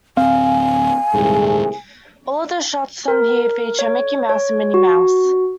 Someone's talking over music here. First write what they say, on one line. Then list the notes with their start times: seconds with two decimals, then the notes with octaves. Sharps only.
All of the shorts on here feature Mickey Mouse and Minnie Mouse.
0.17 D1 C4 F5 G#5
1.14 D#1 C2 G#2 A3 G#4
3.08 A#4
3.79 C#5
4.30 C#5
4.74 F#4